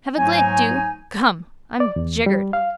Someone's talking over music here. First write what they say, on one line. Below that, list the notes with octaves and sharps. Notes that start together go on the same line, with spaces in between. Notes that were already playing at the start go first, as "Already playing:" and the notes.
Have a glint, do. Gum, I'm jiggered.
G#2 F#3 A3 D#4 G#5
D5
E2
G3
F5